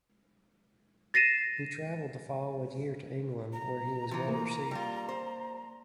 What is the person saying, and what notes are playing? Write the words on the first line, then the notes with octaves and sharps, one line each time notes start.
He traveled the following year to England, where he was well received.
A6 A#6 C7 D#7 E7
A#5
E3 F3
A#3
G3 F4
C5